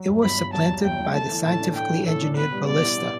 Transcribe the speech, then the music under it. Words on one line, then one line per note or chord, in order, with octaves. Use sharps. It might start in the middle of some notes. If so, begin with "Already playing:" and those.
It was supplanted by the scientifically engineered ballista.
Already playing: F#3
G2
G1 B5
G1
F#3 A5
G2
G1 G5
G1
A3 A5
E3
A2 A5
D4
A3 G5
E3
A2 A4
D4
B3 B4
G3
B2 D5
E4
B3